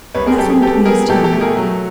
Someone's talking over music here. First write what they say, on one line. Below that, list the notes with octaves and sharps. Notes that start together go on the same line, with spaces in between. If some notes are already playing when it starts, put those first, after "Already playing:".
Nothing pleased him.
C2 B4 C#5
G#4 A#4
F#3 G4 A4
G#4
B3 G4 A4
B3 G#4 A#4
B2 G4 A4
G4 A4
A3
G#4 A#4
F#3